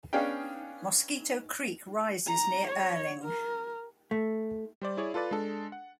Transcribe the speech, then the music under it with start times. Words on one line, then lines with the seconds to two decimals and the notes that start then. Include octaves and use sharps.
Mosquito Creek rises near Earling.
0.13 B3 C#4 D4 G#4 F5 G5
2.27 A#5
2.67 C#5
3.24 A#4
4.11 A3
4.81 G3 C5 D5
4.97 E4 G#4 C#5 D5
5.14 F4 A4 B4 D5 A6
5.31 G#3 D4 A4
5.72 F#5